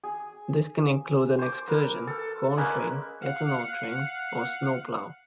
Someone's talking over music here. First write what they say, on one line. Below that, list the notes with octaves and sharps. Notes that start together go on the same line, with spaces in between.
This can include an excursion, corn train, ethanol train, or snow plow.
G#4
C5 D6
A#4 B4
A4
G#3 A#3 C#4 B4
F5 F#5